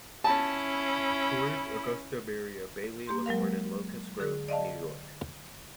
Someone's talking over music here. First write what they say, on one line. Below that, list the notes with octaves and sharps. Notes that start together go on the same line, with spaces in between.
Florence Augusta Merriam Bailey was born in Locust Grove, New York.
C#4 E4 A5
A#3 G4 C6
F#3 G#3 A#4 F5
D3 G#4 F#6
D5 D#5 F5 A5